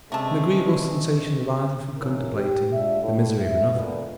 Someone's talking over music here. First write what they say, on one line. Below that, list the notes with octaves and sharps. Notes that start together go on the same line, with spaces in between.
An agreeable sensation arising from contemplating the misery of another.
C3 G#3 A3 C#4 D4 B4 A5
E3 G#3 A#3 C#4 D#4 A#4
G4
G#3 D4 F4 E5
A2
E5
A#2 D3 G#3 B3